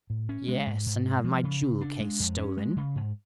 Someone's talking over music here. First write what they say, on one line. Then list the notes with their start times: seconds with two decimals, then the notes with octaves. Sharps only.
'Yes, and have my jewel-case stolen!
0.10 A2
0.29 C#4
0.48 G#3
0.67 G#2
0.86 G#2
1.06 G#3
1.24 F3
1.43 C#3
1.62 C#3
1.81 D4
2.00 G#3
2.20 F2
2.38 C#4
2.57 G#3
2.77 C#3
2.96 G#2